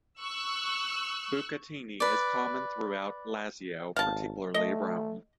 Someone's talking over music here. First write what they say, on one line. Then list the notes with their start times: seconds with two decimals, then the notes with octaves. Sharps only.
Bucatini is common throughout Lazio, particularly Rome.
0.20 C#6 E6 F#6
2.00 B4 D5
3.96 G#1 F5 A5
4.54 A3 D#5